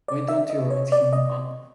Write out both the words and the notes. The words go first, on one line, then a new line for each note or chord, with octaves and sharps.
Why don't you write him up?
D5
E5
D#5
C#5
D5
D#5